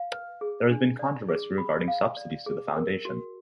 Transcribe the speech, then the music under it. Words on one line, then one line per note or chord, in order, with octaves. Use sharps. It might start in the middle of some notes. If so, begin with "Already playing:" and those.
There has been controversy regarding subsidies to the foundation.
Already playing: F5
B4
G#4
D4
D5
G#4
B5
F5
D5
G#4
A#4
F#4